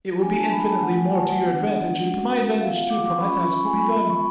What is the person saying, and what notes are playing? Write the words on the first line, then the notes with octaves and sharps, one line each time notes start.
It will be infinitely more to your advantage and to my advantage too, for my task will be done.
B3 D4 F4 G#5
A5
B5
A5
A3 F4 F#5
G#5
A5
F#5
G#3 B3 D4
G#3 C#4 F#4
B3 F4 F5
F5
D6
D6
C#6
F#3 C#4 F4 B5
C#6
G#5
G#3 B3 F4 B5
C#6